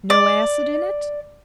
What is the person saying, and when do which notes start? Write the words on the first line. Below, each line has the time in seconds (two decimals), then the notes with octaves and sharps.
"No acid in it?"
0.10 D5